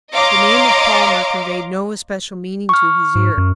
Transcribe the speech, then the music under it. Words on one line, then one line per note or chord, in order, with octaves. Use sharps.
The name of Palmer conveyed no especial meaning to his ear.
C#5 D#5 F5 A#5 C6 D6
C#6 F6
G#2
F#2